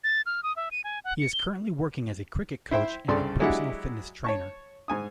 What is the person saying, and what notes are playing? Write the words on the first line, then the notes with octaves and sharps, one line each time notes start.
He is currently working as a cricket coach and a personal fitness trainer.
A6
F6
D#6
E5
D#7
G#5
F#5
C#7
G7
E4 C5 E5 G5
C2 G2 C#3 A4 D5 C6
F#3 G#3 D4 E4 G4 F#5
C#5 A5 C#6
G#2 G#5 D#6